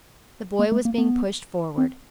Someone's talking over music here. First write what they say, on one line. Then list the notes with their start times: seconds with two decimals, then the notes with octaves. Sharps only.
The boy was being pushed forward.
0.59 A#3
0.72 A3
0.85 A#3
0.98 B3
1.78 C4